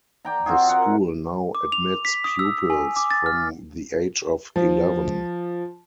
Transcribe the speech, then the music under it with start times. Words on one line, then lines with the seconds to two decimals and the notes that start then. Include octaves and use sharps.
The school now admits pupils from the age of eleven.
0.25 D5 G5 A#5
0.46 C4 F4 F#4 G#4
0.69 A#4 F#5
1.55 D6
1.72 F7
2.05 B6
2.24 D#6
2.39 E6
2.70 G#5
2.96 D6
3.11 A6
3.26 F6
4.56 F3